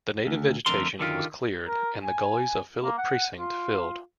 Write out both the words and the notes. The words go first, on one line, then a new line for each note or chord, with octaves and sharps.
The native vegetation was cleared and the gullies of Phillip Precinct filled.
D2
F2 D3 A3 A#4 C6
D3 D#3 F4 G4
A#4
G#5
A#3
F#5
F4